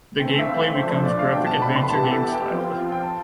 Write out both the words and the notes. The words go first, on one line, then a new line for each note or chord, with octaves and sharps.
The gameplay becomes graphic adventure game styled.
E3 A3 C4 G5
E5
F5
E5
F3 A3 D4 C5
C5
D5
F5
B2 A3 D4 G5
A5
B5
C6
B5
E3 B3 E4 G4 A5
B4
A4
B4
G5
F3 C4 F4
G5
A5